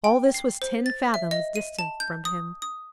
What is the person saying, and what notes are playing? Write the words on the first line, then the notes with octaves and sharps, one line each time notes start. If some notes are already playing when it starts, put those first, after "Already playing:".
All this was ten fathoms distant from him.
G5
C7
C5
A6
E5
D#5
D#7
A5
G6
D#6
D#6